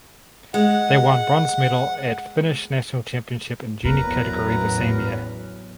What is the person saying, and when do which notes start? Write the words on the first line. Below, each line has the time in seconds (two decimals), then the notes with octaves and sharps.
They won bronze medal at Finnish National Championship in junior category the same year.
0.54 G#3 F#5
3.85 A1 E2 F#3 B3 A#4 B4 A#5